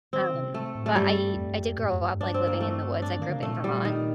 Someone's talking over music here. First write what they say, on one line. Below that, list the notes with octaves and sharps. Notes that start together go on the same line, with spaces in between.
Um, but I I did grow up, like, living in the woods. I grew up in Vermont.
D#3 C4
C3
A3
A2
A3
G2 G3
F2
G2
F2
A2
G2
F2
G2
D4
C4
A#3
A3
D4
D#3 A#3
D3
C3
A#2 A3
G3
D#3